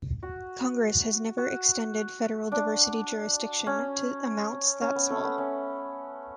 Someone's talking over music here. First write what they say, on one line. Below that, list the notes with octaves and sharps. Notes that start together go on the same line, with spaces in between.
Congress has never extended federal diversity jurisdiction to amounts that small.
F#4
F#4
D4
C#4
C#4
B3
A3
B3
C#4